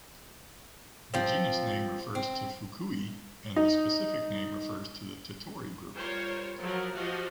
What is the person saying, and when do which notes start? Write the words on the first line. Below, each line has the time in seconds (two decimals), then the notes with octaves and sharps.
The genus name refers to Fukui and the specific name refers to the Tetori group.
1.14 F3 C4
2.15 C4
3.56 D#4
5.95 G3 F4 A#4 C5 C#5
6.61 F3 F#3 F#4 A#4
6.95 F3 F#4 G4 D#5 F5